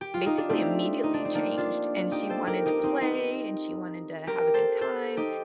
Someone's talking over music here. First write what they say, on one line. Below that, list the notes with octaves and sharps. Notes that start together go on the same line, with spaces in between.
basically immediately changed, and she wanted to play and she wanted to have a good time,
G4
F4
D#4
D4
A3 C4
D#4
D4
C4
A#3 D4
D4 F4
D#4 G4
A4 C5
G4 A#4
D#4 G4
C4 D#4
C4 D#4
G4 A#4
A4 C5
A4 C5
D#4 G4